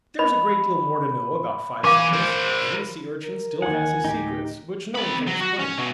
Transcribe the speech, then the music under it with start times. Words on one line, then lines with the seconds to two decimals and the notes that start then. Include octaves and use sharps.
There is a great deal more to know about Five-fingers; and the Sea-urchin still has his secrets which no one can explain.
0.19 D#5 B5
1.84 E3 F5 G#5 D6
2.14 A#4 C5
3.25 A#4
3.62 D#2 D#3 F#5 G#5
4.04 D2 A2 D#4 G4 G5
4.95 C4 B5
5.27 F#3
5.41 F#4
5.60 C#4
5.78 B2 F#3